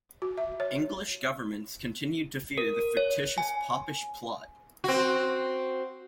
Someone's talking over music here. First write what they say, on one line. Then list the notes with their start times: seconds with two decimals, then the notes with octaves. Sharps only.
English governments continued to fear the fictitious Popish Plot.
0.22 F#4
0.37 E5
0.60 C#5
2.58 A#4
2.97 C#5
3.38 G#5
4.84 C4 F#4